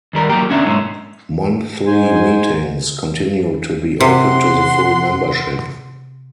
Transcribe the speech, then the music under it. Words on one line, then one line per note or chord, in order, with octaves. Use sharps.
Monthly meetings continued to be open to the full membership.
D#2 G3 A#4
F#3 A#3 G4
D2 B2 C#4 D4 E5 A#5
B1 G#2 G#3 A#3 E4 C#5
G#2 C5 G#5
C3 F#5 C6